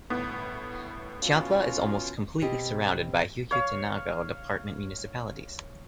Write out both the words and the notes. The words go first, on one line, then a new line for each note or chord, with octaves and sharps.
Chiantla is almost completely surrounded by Huehuetenango Department municipalities.
G1 A2 B3
B2 C#4 F4
B2 C4 G4 D#5
C#5 F5